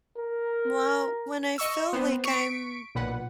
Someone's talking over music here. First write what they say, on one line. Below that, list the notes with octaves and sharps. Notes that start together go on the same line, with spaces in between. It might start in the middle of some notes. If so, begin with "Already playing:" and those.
well, when I feel like I'm
A#4
D#5 C#6 E6
B3 C4 C5
C#6 B6 C#7 D7
B1 A#2 B4 F#5